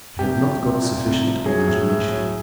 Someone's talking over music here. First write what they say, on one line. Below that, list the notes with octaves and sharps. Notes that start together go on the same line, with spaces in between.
I had not got sufficient imagination.
C2 G4
F3
C2
A#2
C2
F3
F#3 G#4
A2
A2
F#3